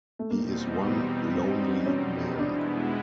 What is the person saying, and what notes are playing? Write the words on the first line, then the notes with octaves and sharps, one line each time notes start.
He is one lonely man.
A3
E2 B2 G3 A#3 C4 D#4
B3
C4
C#4
E2 B2 G#3 B3 D4 E4